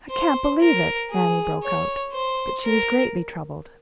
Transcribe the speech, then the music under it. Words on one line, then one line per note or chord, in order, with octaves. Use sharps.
"I can't believe it," Annie broke out, but she was greatly troubled.
C5
A#4
G#4
C#5
C5
A#4